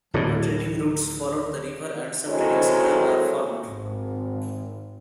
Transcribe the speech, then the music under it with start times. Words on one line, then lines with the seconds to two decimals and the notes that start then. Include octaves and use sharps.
Trading routes followed the river and some trading centers were formed.
0.14 D1 A2
2.28 D#3 F#3 G#3 C4 E4 A4
3.66 G#1